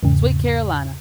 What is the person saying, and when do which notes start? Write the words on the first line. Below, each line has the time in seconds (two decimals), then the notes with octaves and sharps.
Sweet Carolina,
0.03 E2 G#2 C#3